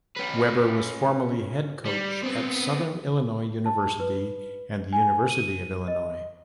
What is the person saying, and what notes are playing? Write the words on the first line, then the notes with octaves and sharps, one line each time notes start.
Weber was formerly head coach at Southern Illinois University and the University of Illinois.
C#4 B4
G3
B3 C4
A5
B4
G#5
D#7
D#5